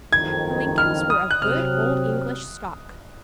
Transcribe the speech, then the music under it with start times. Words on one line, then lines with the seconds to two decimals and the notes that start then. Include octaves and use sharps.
The Lincolns were of good old English stock.
0.13 F#1 F2 D#3 G#6
0.78 F6
1.10 D#6
1.31 F#6
1.42 C3 F#3 C4 F6